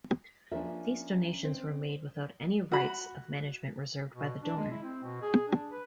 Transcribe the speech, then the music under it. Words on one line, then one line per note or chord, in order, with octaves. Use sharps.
These donations were made without any rights of management reserved by the donor.
F3 A#3 C#4 D4 E5
C4
F#4 B5
B2
D4
G#3
E4
C4
B2
G#4
D4
B4